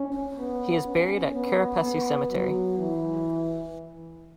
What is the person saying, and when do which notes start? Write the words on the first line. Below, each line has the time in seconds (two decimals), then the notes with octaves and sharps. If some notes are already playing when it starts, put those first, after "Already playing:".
He is buried at Kerepesi Cemetery.
Already playing: C#4
0.38 B3
0.87 C#4
1.35 B3
1.82 B3
2.31 F#3
2.78 E3